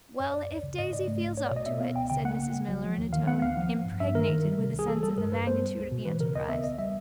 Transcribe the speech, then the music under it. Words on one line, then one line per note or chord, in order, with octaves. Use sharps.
"Well, if Daisy feels up to it--" said Mrs. Miller, in a tone impregnated with a sense of the magnitude of the enterprise.
F#2 C#5
G#1 D5
D2
C#3
G#2 D#5
G#2 D5
A3
A#1
B1 C#5
D5
B2
D#5
B3 E5
B3 F5
C#2 G5
C#3 G5
A#3 F#5
B1
A#1
F#3
F3
D#2
D#3 F5
B3 F#5
D2 F5
F3
A1
G2
G2 E5
D#3 A#4
D#3
G3
C3
C2
G#4
E3 A4
G3 A4
G2 A#4
G2 B4
B3 C5
G3
C#2
B2
E3 B4
C#3 A#4
D#2 D#5
B3 E5
C2 D#5
G3 E5